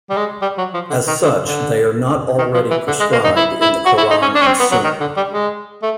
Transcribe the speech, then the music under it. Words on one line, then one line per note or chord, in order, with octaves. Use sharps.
As such, they are not already prescribed in the Koran and Sunna.
G3
G#3
G3
F#3
F3
D3
D#3
D3
D3
D#3
F3
E3
D3
G#3
A#3
D#4
E4
E4
F#4
E4
D#4
C#4
D4
C#4
C4
B3
F#3
D#3
D3
G3
G#3
A3